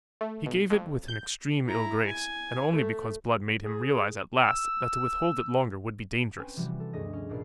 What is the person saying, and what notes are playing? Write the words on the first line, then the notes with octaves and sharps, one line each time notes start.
He gave it with an extreme ill-grace, and only because Blood made him realize at last that to withhold it longer would be dangerous.
A3
B1
F2
G6
E4 A#5
G#5
A3
G#4
E6
C4 C#4 B4 G5 G#5
C3 E3 F3 G3 F#4
A4
D2 G2 G#4 D#5 A#6
C#4
D#1 C2 A#2 D5 C7